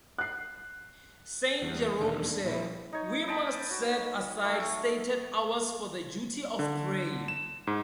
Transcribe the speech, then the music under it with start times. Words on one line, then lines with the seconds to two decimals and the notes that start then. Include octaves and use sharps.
Saint Jerome said, ...we must set aside stated hours for the duty of praying.
0.18 F#6 C7
1.62 E2 G3
1.99 E1 D#2 D4
2.45 A#1 E4
2.93 D#4 C#5
3.28 D#5 G5 A5 B5
3.71 F#4
4.44 A3 A4
6.59 D3
7.28 E7
7.67 G#2